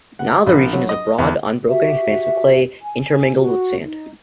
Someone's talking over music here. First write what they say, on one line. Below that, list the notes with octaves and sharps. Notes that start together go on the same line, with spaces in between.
Now the region is a broad, unbroken expanse of clay intermingled with sand.
F#5
A#1
F#3
D#5
E2
F#4 G4 E5
G#5
F#4
D#4